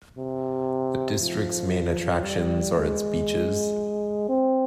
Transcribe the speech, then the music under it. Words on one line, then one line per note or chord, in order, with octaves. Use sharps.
The district's main attractions are its beaches.
C3
F3
G3
G#3
C4